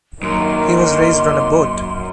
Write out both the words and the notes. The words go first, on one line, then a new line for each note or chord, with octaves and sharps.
He was raised on a boat.
F#2 D#3 A#3 C6